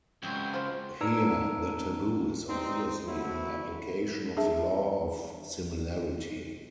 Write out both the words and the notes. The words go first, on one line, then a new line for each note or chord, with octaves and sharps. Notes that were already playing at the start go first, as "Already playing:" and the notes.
Here the taboo is obviously an application of the law of similarity.
C#2 F#3 G#3 C4
F3 C5
D#4 B4 D5 A#5 E6 D7
G2 C4 D#4
F#3 A3 E4
D4 G#4 E5 A5